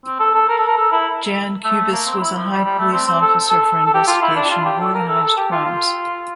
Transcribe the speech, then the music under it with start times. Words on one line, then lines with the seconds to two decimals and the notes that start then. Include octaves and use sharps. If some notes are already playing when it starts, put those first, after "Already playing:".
Jan Kubice was a high police officer for investigation of organized crimes.
0.06 C4
0.19 A4
0.34 A4
0.49 A#4
0.58 A4
0.67 A#4
0.77 A4
0.92 E4
1.64 A3
1.92 A#3
2.06 C4
2.21 E4
2.36 F3
2.50 G3
2.64 G3
2.78 A3
2.92 C4
3.08 C4
3.21 A4
3.50 A4
3.65 A4
3.86 A4
3.94 G4
4.07 F4
4.22 E4
4.36 D4
4.50 F4
4.65 G4
4.80 A4
4.95 A#4
5.08 A4
5.23 A4
5.37 G4
5.51 F4
5.65 F4